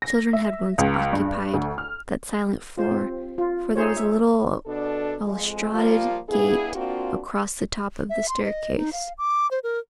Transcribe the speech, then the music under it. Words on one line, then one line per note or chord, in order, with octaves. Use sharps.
Children had once occupied that silent floor for there was a little balustraded gate across the top of the staircase.
A#6
E5
C#2
G2
D2
F6
F4 C5
C4
F4
D#4 G#4 C5 C#5
E5
B2 D4 A4
F2 G#3
F3 G3 A#3 F4
G2 B3 E4 G#4
A#3 C4 D4 F4 F#4
E5
C6
D#5
D#4
F5
D6
C5
A#4